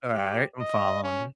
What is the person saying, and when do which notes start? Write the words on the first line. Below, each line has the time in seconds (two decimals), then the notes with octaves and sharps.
All right, I'm following you.
0.14 G4
0.61 D#5
1.04 C#4